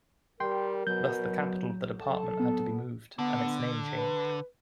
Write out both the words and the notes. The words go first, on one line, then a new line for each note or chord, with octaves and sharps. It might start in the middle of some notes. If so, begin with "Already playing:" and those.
Thus the capital of the Department had to be moved, and its name changed.
G3 A#4 G5 C6
B2 F#3 G6
F#3 A4 A5
B3
D3 B3
B4